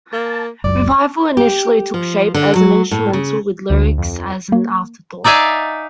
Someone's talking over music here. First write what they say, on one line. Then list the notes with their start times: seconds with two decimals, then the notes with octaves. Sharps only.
"Revival" initially took shape as an instrumental, with lyrics as an afterthought.
0.13 A#3 A5
0.64 F#1 C#2 F#2 D5
1.37 G4
1.94 F3
2.35 D3
2.56 F#3
2.91 A2
3.13 C#3
3.70 D2
3.98 F2
4.52 A#3
5.24 D#4 D5 E5 F5 G#5